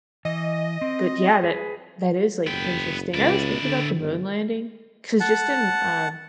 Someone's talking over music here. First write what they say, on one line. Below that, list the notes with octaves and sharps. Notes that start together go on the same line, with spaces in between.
but yeah, that that is, like, interesting, I always think about the moon landing 'cause just in, uh
E3 D#5
C4
G#4 B4
F#1 B3 G5
C#2 E4 D5
D3
G1
F#5 A5